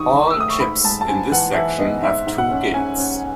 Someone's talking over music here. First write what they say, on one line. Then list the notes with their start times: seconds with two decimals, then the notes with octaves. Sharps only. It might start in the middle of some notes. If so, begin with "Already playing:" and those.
All chips in this section have two gates.
Already playing: D#3 D#4 C#6 D#6
0.13 D#3
0.30 E6
0.37 A3 D#6
0.50 C#6
0.60 G#2 B5
0.84 G#3 A5
1.01 A5
1.08 G#2 G#5
1.31 E3 F#5
1.55 E3 E5
1.79 B3 D#5
2.02 G#2 E5
2.27 G#2
2.38 F#5
2.51 C#4
2.74 C#4 G#5
2.98 C#4